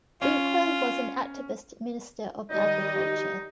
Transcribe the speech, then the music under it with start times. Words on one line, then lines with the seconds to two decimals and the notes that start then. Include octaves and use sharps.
Winkler was an activist Minister of Agriculture.
0.22 C#4 F4
2.51 D#3 G3 D#4 D#5